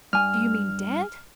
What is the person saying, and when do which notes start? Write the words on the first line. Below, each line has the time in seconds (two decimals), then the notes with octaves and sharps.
Do you mean dead?
0.13 G2 G#5 F6